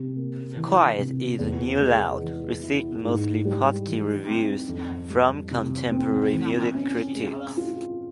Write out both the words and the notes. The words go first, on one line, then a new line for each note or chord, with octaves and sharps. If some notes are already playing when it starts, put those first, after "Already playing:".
"Quiet Is the New Loud" received mostly positive reviews from contemporary music critics.
Already playing: C3
A#3
E3
C3
E2
G#3
E3
E4
G#2
G3
E3
C4
F2
G3
C3
C4
E3
C#4
G#3
F4